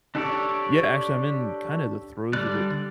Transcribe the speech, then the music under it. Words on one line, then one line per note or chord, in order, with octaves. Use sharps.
Yeah, actually, I'm in kind of the throes of it
D4 G4 A4 C#5 D5
D3 G3 D5 F#6